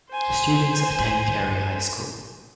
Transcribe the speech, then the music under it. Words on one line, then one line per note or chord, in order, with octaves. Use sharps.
Students attend Carey High School.
C5 G#5